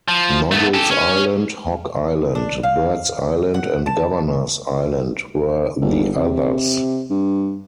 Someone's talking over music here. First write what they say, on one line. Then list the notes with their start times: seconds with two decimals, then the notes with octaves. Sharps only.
Noddle's Island, Hog Island, Bird's Island and Governor's Island were the others.
0.08 F3
0.51 A3 B3
0.74 G4 A4
0.90 C#4
2.35 D4
2.63 F5
3.54 F#5
3.86 A5
5.81 G1
6.16 C3
7.10 G2